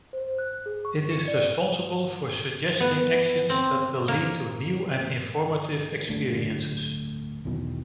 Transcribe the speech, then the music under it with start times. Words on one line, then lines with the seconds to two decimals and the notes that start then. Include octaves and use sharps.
It is responsible for suggesting actions that will lead to new and informative experiences.
0.13 C5
0.38 F#6
0.66 G#4
0.85 C#6
1.11 C#7
1.28 D5
2.80 B3
3.49 C4
4.08 A#3
6.09 D1 D2 A3 D4
7.45 B1 E2 B2 D#3